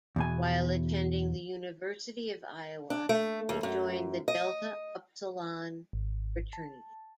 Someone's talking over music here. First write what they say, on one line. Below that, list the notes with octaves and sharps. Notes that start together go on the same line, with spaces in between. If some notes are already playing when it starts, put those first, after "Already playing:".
While attending the University of Iowa he joined The Delta Upsilon Fraternity.
E2 B2 G#5
D4
A3
D#2
F#2
D#5
G#1
A5